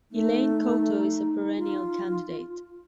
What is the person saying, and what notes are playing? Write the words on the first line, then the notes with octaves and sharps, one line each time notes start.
Elaine Couto is a perennial candidate.
A3 D#4
F4